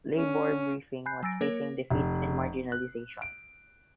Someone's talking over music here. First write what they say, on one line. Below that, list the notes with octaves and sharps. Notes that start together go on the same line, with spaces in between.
"Labour Briefing" was facing defeat and marginalisation.
C#4
G#5 B5 F#6 G6 C7
F#3 G#5 E6 A6 A#6 D7
A#3 A#4 C#5 A#6
F1
F#6
D7